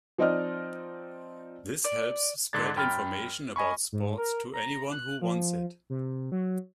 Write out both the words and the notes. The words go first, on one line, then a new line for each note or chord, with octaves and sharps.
This helps spread information about sports to anyone who wants it.
F3 C4 D#4 D5 D#5 F6
D5
G#2 D3 D4 G#6 A6
F#2 G5 B5 F6 A6
D#5 G#5 B5 C#6
G#2
A#4
A#5
F#6
F3
C3
F#3